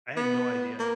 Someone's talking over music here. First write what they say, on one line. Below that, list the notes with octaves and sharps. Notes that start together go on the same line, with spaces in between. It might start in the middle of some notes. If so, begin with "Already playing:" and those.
I had no idea.
B3
A#3